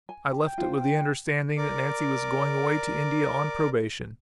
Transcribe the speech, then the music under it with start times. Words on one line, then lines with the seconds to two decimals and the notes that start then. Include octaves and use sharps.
I left it with the understanding that Nancy was going away to India on probation.
0.09 G#5
0.32 G4
0.47 G5
0.58 F4 C5
1.57 A#4 D5 D6